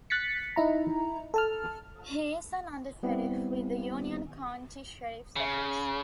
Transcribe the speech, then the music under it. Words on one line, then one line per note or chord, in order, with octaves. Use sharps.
He is an Undersheriff with the Union County Sheriff's Office.
F#6 A6 B6 C#7
D#4 E4 A#5
A4 A5 F6
G3 B3 C4 E4 G4
C#3